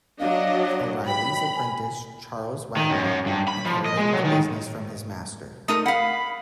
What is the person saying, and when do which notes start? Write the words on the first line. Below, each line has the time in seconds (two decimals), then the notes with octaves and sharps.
O'Reilly's apprentice Charles Wagner inherited the business from his master.
0.20 F#3 D4 D#5 F5
0.68 C#5
1.07 G5 B5
1.56 G#5
2.77 D#3
2.91 F#2
3.04 F#2
3.26 G2
3.48 B5
3.65 F3
3.86 D#5
3.97 G#3
4.13 F#3
4.24 D#3
5.68 A3 D#4 A#4 D#6
5.86 F5 F#5 B5